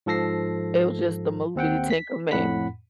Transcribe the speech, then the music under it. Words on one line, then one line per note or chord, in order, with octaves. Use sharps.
It was just the movie, The Ten Commandm
G#2 F3 A4 A#6 C7
D#2 C4 F#5 G5
B6
F2 A2 F#5 B5 B6